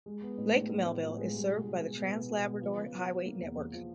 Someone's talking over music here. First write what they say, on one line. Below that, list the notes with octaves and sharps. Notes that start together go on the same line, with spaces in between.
Lake Melville is served by the Trans-Labrador Highway network.
G#3
B3
A2
A2
B3
A2
F3
G#3
G3
B2
B2
B2
B3
B2
B2
B3
F3
C#3
F3
F3
A#3
E2
E2
F3